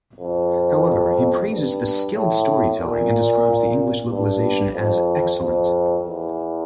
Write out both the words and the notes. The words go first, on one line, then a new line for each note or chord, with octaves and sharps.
However, he praises the "skilled storytelling" and describes the English localisation as "excellent".
F2
G2
A2
A#2
G2
F2
F2
E2